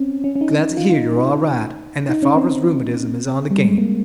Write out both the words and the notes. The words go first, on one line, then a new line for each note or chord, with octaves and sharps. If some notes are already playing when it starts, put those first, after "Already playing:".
Glad to hear you're all right and that father's rheumatism is on the gain.
Already playing: C4 C#4
C#4
C#4
D#4
D#4
F4
F4
D#4
D#4
C#4
C4
G3
G#3
A#3